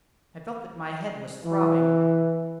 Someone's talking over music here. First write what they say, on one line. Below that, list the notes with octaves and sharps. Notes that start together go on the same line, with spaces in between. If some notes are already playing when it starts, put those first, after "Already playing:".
I felt that my head was throbbing.
E3